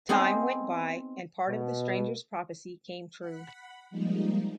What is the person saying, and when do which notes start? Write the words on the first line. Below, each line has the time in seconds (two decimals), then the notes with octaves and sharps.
Time went by and part of the stranger's prophecy came true.
0.09 B3 C4 D#4 G#4 D#5
1.48 B2
3.19 F#5 B5
3.91 F3 G3 G#3 A#3 D#4